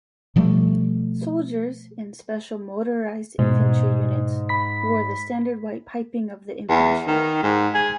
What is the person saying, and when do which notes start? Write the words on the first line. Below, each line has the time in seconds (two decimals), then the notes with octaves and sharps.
Soldiers in special Motorized Infantry units wore the standard white piping of the Infantry.
0.36 B2 F3 G3 A3
3.39 G#2 B2
4.49 B5 B6
6.69 E2
7.07 D#3
7.43 G#2
7.74 G#4